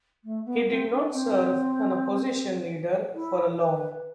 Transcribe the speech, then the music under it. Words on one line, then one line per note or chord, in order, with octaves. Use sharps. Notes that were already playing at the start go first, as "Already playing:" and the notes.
He did not serve as opposition leader for long.
A3
B3
C4
D4
C4
E4
C5
B4